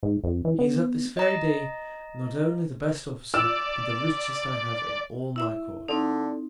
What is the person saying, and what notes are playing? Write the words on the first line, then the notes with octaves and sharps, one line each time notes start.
He is at this very Day not only the best Officer, but the richest I have in all my Court.
G#2
F2
E3
B3
D#5 A#5
D5 E6
E4 E5 E6
D3 C4 D#4